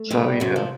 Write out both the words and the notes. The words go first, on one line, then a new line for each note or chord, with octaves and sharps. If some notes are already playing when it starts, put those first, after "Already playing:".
so, yeah.
Already playing: A3
G2 C3 G3
F#2 C3 F#3
F3